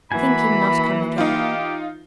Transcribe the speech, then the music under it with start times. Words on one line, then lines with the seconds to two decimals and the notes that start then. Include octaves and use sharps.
Think him not come again.
0.12 E3 A#3 F#4 G#5 B5
1.18 D#4 F4 G4